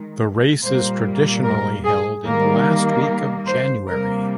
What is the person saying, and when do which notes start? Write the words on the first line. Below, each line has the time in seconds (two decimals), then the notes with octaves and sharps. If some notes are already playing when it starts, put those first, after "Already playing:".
The race is traditionally held in the last week of January.
Already playing: D#3 G#3
0.63 A#2 G3 A#3 C5
1.43 A#4
1.84 G#4
2.25 D#3 G3 A#3 A#4
3.46 C5
3.87 C3 G3 A#3 A#4